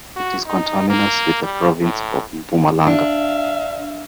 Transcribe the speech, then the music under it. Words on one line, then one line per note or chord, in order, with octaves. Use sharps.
It is conterminous with the province of Mpumalanga.
F#4
D#4
A#3
G3
A2
D4 E5 F5